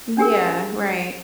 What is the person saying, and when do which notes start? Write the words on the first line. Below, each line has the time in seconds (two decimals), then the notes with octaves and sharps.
Yeah. Right.
0.17 C#4 D4 G4 G#4 A#4